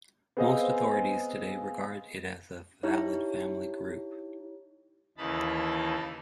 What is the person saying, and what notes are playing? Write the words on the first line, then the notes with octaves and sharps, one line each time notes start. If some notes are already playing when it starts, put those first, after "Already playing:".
Most authorities today regard it as a valid family group.
B3 C4 G#4 C5 D#5 F5
D#4 E4 G4 C#5
D#2 C#3 E3 D#4 A5 B5